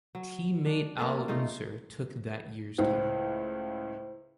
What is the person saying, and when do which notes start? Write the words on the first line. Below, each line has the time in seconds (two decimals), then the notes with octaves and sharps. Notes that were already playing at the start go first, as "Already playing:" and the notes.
Teammate Al Unser took that year's title.
0.15 F#3
0.66 D4
0.98 A#3 C#4 D4 A4
1.28 G#2 A3 D#4 F4
2.78 C#2 A2 C5